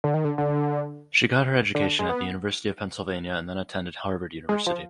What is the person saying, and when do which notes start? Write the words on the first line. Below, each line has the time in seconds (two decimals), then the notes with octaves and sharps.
She got her education at the University of Pennsylvania and then attended Harvard University.
0.04 D3
0.14 D#3
0.24 D3
0.38 D3
1.75 D3
1.99 G#3
2.09 B3
4.49 G#3
4.67 F3